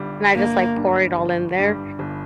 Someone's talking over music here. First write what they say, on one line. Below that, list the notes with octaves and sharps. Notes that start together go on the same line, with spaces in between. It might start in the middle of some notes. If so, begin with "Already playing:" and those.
and I just, like, pour it all in there,
Already playing: G1 G2 G3
G1 A#3
G2 G3
G1
G2 G3
G1